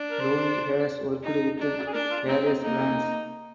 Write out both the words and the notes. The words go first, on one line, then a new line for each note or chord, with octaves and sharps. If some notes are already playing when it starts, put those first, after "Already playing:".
Looi has worked with various brands.
Already playing: D4
A#4
C5
D#4
D4
G#4
D4 A#4
F4
C4 D#4
D#4
A#3 D#4